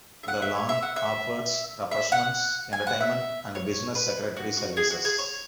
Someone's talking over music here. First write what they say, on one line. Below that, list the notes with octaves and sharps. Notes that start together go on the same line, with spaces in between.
The lounge offers refreshments, entertainment and business secretary services.
E5
F#5
E5
C#5
E5
F#5
E5
E5
F#5
G#5
F#5
E5
C#5
B4
F#4
F#4
G#4
F#4
G#4
C#5